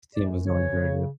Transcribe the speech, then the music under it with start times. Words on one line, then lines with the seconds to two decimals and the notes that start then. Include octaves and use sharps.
his team was going very good.
0.15 F#2 D5
0.46 C#3 E3 C#5
0.78 C#3